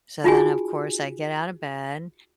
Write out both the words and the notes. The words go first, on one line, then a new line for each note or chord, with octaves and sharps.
So then of course I get out of bed
D#4 F4 F#4 G#4 G#5